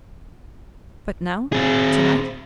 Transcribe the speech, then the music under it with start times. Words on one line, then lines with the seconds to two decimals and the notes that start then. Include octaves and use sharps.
"But now--tonight?"
1.53 C4 G#4